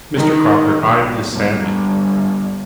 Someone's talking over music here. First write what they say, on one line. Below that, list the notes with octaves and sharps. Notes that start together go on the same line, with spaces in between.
Mr. Crocker eyed this sadly.
D#3
B1
G1